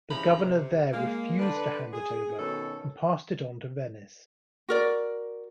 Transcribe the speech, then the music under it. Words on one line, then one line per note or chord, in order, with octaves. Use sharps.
The governor there refused to hand it over, and passed it on to Venice.
G2 C#3 E3 F3 A#5 B5
C3
G#3 A#3
D3 D4 B4
G#4
B2 D#3 C#4 A4
F#4 A#4 D5